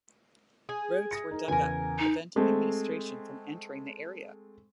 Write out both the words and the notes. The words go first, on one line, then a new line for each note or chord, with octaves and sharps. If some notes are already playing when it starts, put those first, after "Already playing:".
Roads were dug up, preventing administration from entering the area.
G#4
D#6 A#6 C#7
D#4 A#4
E2 C#3 A#4 B4 G#5
D#4
G#3 A3 C4